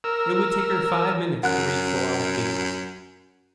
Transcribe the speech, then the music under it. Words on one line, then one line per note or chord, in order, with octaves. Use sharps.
It would take her five minutes to reach the lodge gate.
A#4 E6
F#2 F#5 F#6